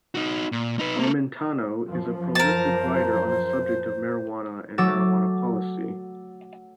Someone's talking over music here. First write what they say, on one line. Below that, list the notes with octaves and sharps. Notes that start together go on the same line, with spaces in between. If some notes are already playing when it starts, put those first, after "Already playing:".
Armentano is a prolific writer on the subject of marijuana and marijuana policy.
D#4 F#4
A#2
D#4 B4
A#3 A4
F#2 F3
A#4 C5 A5
F#3 A3 C#5 D6 E6 A6